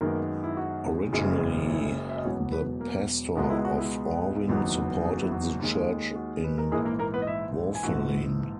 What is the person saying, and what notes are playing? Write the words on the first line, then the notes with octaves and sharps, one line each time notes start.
Originally the pastor of Orvin supported the church in Vauffelin.
F#2 D#3 G#3 A#3 B3 A#4
E4
F#4
F#1 F#2 C#3 G#3
E4
E5
D#5
E1 E2 B2 F#3 B3 C#4 C#5
B3 B4
A#3 A#4
C#2 B2 G#3 B3 F#4
E4
F#4
E4
F#1 E2 D#3 F#3 B3
G#4
F#4
E4
F#4
D#2 D#3 G#3
F#4
B4
A#4
A#1 G#2 E3 G#3 A#3 G#4
A#3 A#4
A#3 A#4
B3 B4
D#5
E4 E5
G#5
A#1 G#2 E3 F#4 F#5